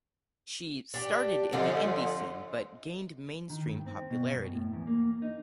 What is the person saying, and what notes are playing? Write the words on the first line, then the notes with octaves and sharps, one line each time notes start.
She started in the indie scene but gained mainstream popularity.
D4 G4
F2 D3 D#4 F4 D5
D#3
G2
C4
B2
F#2
A2
E2
A#3
D#4